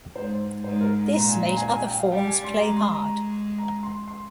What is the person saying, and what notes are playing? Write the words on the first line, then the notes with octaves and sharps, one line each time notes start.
This made other forms play hard.
G#2 C5
G#2 C5
A#4
A#2 A#5
G#5
A#5
G#5
A#5
G#5
G5
F5
G3 G5
G#5
C6
G#3 A#5
C6
A#5
G#3
A#5
C6
C6